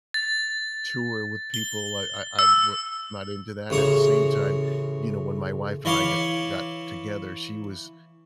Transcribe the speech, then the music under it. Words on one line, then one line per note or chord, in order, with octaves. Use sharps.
tour with people. I I I'm more I'm not into that. At the same time, you know, when my wife and I go got together, she was
A6
G7
E6
A1 C#3 C#5 A#5 C#6
E3 C#5 F5 C6 D6